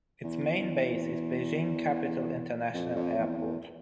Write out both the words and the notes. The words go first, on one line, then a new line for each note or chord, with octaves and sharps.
Its main base is Beijing Capital International Airport.
E2
F2
F2
E2
E2